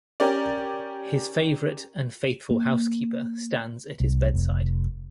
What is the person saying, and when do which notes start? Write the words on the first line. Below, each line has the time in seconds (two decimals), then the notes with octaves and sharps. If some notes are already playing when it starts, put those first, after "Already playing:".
His favourite and faithful housekeeper stands at his bedside.
0.20 C#4 G4 A#4 D5
2.51 A#3
4.00 C2
4.34 F1